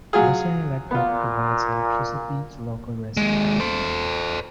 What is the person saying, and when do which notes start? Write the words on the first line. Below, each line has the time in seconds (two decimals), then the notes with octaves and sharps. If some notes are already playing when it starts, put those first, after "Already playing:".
Western Electric provides electricity to local residents.
0.13 F#3 F4 G#4
0.91 A#2 B3 F4
3.17 D#2 G#3
3.60 A4 C5